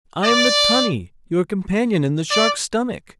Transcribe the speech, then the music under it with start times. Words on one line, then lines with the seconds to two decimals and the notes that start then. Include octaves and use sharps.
"I am the Tunny, your companion in the Shark's stomach."
0.23 D5
2.30 D5